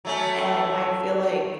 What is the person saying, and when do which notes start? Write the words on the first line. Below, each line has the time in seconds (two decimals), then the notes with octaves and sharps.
and I feel like
0.05 F#3 A3 C#4